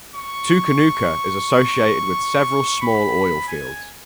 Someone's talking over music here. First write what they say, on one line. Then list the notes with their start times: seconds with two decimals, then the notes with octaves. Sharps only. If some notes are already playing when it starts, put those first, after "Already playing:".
Tookoonooka is associated with several small oil fields.
0.15 C#6
2.81 B5
3.48 G#5